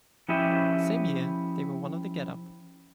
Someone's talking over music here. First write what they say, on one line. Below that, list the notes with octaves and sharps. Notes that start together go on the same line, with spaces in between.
The same year, they were one of the Getup.
F3 C#4 E4 G4 D#5 E5